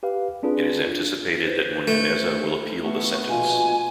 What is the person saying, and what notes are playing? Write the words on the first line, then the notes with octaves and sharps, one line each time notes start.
It is anticipated that Munyaneza will appeal the sentence.
G4 B4 F5
C4 D4 F4 G#4 B4
B4 C5
A3
A3 B3 C#6
A#1 B2 F4 G#5